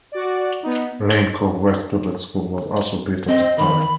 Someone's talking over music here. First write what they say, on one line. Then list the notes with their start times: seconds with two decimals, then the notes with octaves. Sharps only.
Lane Cove West Public School was also built at this time.
0.12 F#4 D5
0.63 B3 D#4
3.28 C4 D#5
3.58 D#3 B5